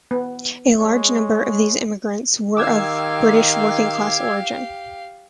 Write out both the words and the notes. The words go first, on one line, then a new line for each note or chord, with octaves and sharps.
A large number of these immigrants were of British working-class origin.
B3
G#3 C#5
D#3 G4 F5 D6 E6 G#6